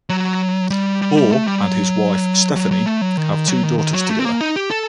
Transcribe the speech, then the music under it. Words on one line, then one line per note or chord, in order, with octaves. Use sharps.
Orr and his wife Stephanie have two daughters together.
F#3
G3
G3
G3
A3
G3
F#3
F#3
F#3
A3
F#3
D#3
D#3
F#3
D#3
D#3
F#3
A3
C4
A#3
D#4
G4
A4